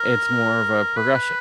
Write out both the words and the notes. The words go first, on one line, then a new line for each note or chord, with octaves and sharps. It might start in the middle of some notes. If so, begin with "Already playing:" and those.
It's more of a progression.
Already playing: A#4
B4